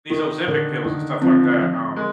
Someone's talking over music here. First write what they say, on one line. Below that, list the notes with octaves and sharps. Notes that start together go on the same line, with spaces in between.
these Ozempic pills and stuff like that, um
D#3 A#4
D3 A#4
D#3 D#4
F3 C4
F3
G#3 A#4